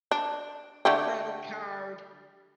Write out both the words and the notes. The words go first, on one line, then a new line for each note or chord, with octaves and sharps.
credit card
D4
D3 A3 G4